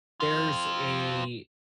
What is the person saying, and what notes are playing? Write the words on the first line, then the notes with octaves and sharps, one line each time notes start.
there's a
C4 F4